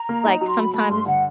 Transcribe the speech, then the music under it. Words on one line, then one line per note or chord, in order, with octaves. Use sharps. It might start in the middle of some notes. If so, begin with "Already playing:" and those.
like sometimes
Already playing: A#5
A#3
D#4
F#3
C6
F#3 B5
A3 B5
G2 C6
D3 F#5